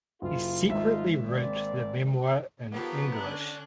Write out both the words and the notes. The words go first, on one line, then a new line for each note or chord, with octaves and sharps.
He secretly wrote the memoir in English.
F#1 F4
G#1 D#4 F4 E5
A#3 C4 D5
D#3 F3 F#3 A#3 B3 G4 A4
D3 C#4 D4 F#6